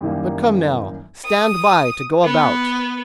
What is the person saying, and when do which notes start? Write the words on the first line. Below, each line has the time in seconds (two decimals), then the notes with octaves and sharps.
But come now, stand by to go about.
0.01 F#2 D#3 E3 G3 A#3
1.25 D#6
2.24 B3